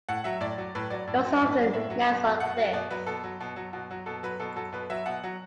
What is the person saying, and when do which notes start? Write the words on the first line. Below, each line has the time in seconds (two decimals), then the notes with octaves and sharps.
It also often nests on cliffs.
0.09 A2 F#5
0.24 F#3 E5
0.41 A2 D5
0.58 F#3
0.75 A2 B4
0.90 F#3 D5
1.07 A2
1.24 F#3
1.41 A2 D5
1.52 B4
1.57 F#3
1.62 D5
1.73 A2 E5
1.90 F#3
2.07 B2
2.24 F#3
2.40 B2 F#5
2.57 F#3
2.73 B2 D5
2.91 F#3 B4
3.07 B2 A4
3.24 F#3
3.40 B2
3.56 F#3
3.73 B2 F#4
3.91 F#3
4.06 B2 A4
4.23 F#3 B4
4.40 B2 A4
4.56 F#3 A4
4.73 B2 B4
4.90 F#3 E5
5.06 B2 F#5
5.24 F#3